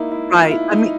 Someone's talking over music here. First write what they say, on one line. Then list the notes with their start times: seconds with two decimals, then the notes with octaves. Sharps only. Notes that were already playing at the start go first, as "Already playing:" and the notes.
Right. I mean
Already playing: A#3 D#4 E4
0.11 E4
0.32 F4
0.42 D#4
0.51 E4
0.71 D#4